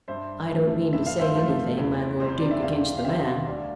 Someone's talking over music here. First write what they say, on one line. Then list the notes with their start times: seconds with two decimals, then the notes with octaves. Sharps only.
I don't mean to say anything, my Lord Duke, against the man.
0.08 G2 C5 E5
0.51 F3 A3
0.93 G2 E5
1.06 F5
1.20 C5 E5
1.35 F3 A3
1.78 E2
2.20 C3 G3 C4
2.30 C5
2.40 D5
2.51 E5
2.62 E2 D5 F5
2.97 F5
3.04 C3 G3 C4 E5 G5
3.46 D2 D5 F5